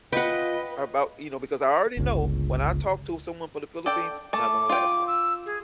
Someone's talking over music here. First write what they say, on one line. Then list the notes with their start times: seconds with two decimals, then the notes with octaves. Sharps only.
or about, you know, because I already know when I talk to someone from The Philippines, not gonna last long.
0.13 F4 B4 D#5 F#5 G5
1.97 G1 C#2
3.86 A4 D5 G5
4.33 A3 A5 D6
4.69 F4 G5
5.07 E6
5.46 G#4